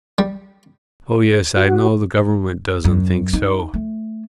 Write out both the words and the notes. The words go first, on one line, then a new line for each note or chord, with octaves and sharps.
Oh, yes, I know the Government doesn't think so.
G3
F#4
F#2
D#4
A3